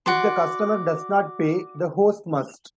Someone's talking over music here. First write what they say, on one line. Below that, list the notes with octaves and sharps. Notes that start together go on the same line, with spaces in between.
If the customer does not pay, the host must.
F#4 D5 C6